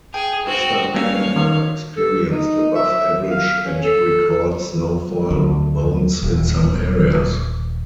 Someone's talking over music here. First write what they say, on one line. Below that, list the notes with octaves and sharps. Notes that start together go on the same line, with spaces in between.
Western Canada experienced above average and record snowfall amounts in some areas.
G#4 G5
C4 F#4
G3 A#3 C#4 C#5 F5
D#3
A4
D#4
E5
F5
C#4
A4
D2
D#1